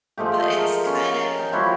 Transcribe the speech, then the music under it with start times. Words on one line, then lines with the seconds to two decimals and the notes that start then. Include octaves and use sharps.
but it's kind of
0.17 F3 G#3 A3 G4
0.41 D#5
0.58 A#4
0.86 C#4
1.39 G5
1.52 F3 G3 E4 F#4